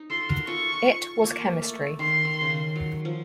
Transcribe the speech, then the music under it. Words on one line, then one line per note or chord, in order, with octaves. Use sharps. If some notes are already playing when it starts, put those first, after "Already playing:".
It was chemistry.
Already playing: D#4
F4 A4 C6
F#4 A#4
F4 A4 C#6
A#3
A3
D#3 C6
D#3
C#3
D#3
F#3
F3